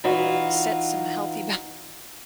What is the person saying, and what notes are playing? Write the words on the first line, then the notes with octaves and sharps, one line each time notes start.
set some healthy boun
E3 D#4 F4 F#4